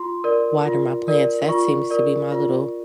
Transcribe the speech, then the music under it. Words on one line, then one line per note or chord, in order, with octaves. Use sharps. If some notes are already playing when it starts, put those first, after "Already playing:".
water my plants, that seems to be my little
Already playing: F4 C6
A#4 D5
F4
A#4 D5
F4 C#6
A#4 D5
F4